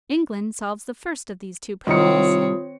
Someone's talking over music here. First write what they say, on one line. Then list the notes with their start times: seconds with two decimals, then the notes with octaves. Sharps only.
England solves the first of these two problems.
1.87 C2 D#3 C4 F4 C#5 D#6 C#7